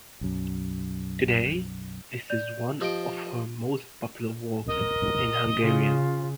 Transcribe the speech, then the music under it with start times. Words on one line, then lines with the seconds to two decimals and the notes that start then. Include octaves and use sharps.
Today, this is one of her most popular works in Hungarian.
0.21 B1 F#2
2.30 D5 G6 F7
2.81 F3 G4 D#5 G5 D7
4.67 A#4 D#5
5.60 C#3 F4